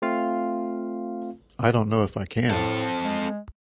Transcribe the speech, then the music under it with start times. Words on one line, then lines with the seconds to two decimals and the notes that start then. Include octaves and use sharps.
I don't know if I can.
0.02 A3 C4 F4 F5
2.50 A2 C4 A4
3.04 G#3